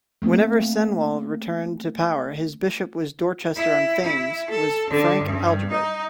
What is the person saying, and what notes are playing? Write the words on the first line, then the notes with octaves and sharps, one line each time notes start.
Whenever Cenwalh returned to power, his Bishop in Dorchester-on-Thames was the Frank Agilbert.
A3 A#3 C4 D#4
E4
E4
A4
D3
G2
D#4